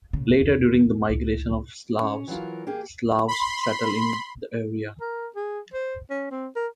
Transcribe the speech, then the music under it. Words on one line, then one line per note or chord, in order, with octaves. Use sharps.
Later, during the migration of the Slavs, Slavs settled in the area.
A#2 C#3
E2
C#2
C#4
E3 F#3 F4 A#4
A#3 G4 G#4
B5 C6
A#4
G#4
C5
C#4
C4
A#4